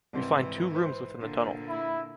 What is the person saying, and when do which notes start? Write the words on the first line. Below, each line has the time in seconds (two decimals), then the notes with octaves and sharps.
We find two rooms within the tunnel.
0.13 C2 G#2 E3 C4
0.75 B4 C5
1.21 A#2 D3
1.69 E4